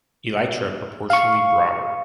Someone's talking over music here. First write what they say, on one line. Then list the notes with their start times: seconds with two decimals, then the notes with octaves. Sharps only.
Elytra proportionately broader.
1.10 F5 C#6